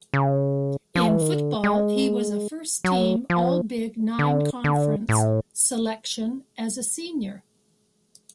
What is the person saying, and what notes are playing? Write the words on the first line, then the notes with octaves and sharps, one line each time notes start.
In football, he was a first team All-Big Nine Conference selection as a senior.
C#3
F3
E3
D#3
D3
G#3
F#3
F3
D3
D3
A2